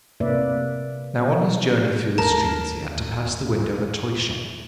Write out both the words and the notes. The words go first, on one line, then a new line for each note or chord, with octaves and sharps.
Now on his journey through the streets he had to pass the window of a toy-shop.
C3 A#3 B4 D5 E5
D#2 A2 A#4 A5